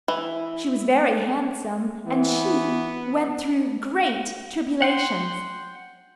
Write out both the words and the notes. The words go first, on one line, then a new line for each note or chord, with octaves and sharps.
She was very handsome and she went through great tribulations.
E3 E4
E3 B3
F#5 G5 C6